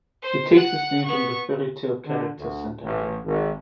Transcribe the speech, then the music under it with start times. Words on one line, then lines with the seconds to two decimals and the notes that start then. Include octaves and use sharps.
It takes its name from the fairy tale character Cinderella.
0.22 C5
0.54 F#5 F#6
1.04 B3 C#6
2.06 D3
2.37 D2
2.83 A1
3.25 G#1